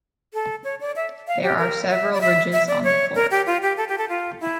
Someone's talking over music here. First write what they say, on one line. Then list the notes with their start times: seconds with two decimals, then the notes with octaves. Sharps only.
There are several ridges on the floor.
0.34 A4
0.64 C#5
0.81 D5
0.96 E5
1.28 F5
1.43 G4
1.58 A#4
1.90 E5
2.14 D5
2.21 E5
2.53 E5
2.68 D5
2.84 C#5
3.15 A#4
3.31 G4
3.47 F4
3.62 G4
3.77 A4
3.89 G4
3.98 A4
4.09 F4
4.40 E4